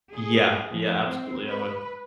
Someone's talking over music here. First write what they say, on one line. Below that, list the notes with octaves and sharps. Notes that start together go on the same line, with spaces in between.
Yeah, yeah, absolutely, I would.
G#4
F3
C4
B4